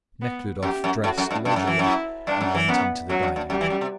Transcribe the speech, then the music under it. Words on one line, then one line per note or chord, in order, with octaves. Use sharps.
Nekhludoff dressed leisurely, and went into the dining-room.
B3
F#2 G4
F#2
A2 F#4
F#2
G2
G2
F#2
E3
F#2
E4
G2 D4
F#2
E3
F#2 B3
F#2 F#3
G2
G2
F#2 G3
E3
F#2
C3